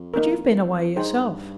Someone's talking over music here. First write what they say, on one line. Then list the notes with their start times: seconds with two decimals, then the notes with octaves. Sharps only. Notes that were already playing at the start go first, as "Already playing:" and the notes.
But you've been away yourself.'
Already playing: F2
0.14 A#3 D#4 A#4
0.96 G2 D#4 G#4 C5 G5